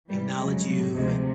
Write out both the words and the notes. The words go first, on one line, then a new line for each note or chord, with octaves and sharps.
acknowledge you, and
G#2 E3 G3
F2 C#3 F#3 G#3
A2 F#3
D2 C3 F3 G#3